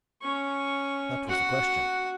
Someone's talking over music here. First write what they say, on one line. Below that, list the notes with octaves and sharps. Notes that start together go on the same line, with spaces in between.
That was the question.
C#4 C#6
F#4 F#5